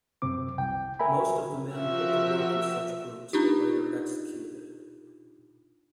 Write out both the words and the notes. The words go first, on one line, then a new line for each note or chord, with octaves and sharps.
Most of the men put to work in such groups were later executed.
F#2 C3 C4 D6
C2 G5
A#4 E5 G#5 B5
F3 F#4 G4 A#4 E5
D4 D#4 F4 G4